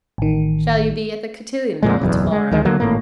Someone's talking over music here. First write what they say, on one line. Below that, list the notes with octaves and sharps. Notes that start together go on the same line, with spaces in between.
"Shall you be at the cotillion ball tomorrow?"
A1 D#3
F2 A#2 G#3
F#1 B1 E2
G#3
D2 D#3 G#3
D3 F#3 A#3
G#1 A2 A#3